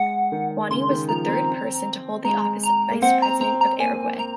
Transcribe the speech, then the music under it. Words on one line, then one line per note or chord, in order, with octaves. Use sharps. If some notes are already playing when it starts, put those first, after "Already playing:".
Guani was the third person to hold the office of Vice President of Uruguay.
Already playing: G#3 F#5
D#3
C#3 C6
D#3
F3 A#5
C4
G#3 A#5
A#5
A#3
C4 F#5
A#5
C4 A#5
A#5
A#3 G#5
A#5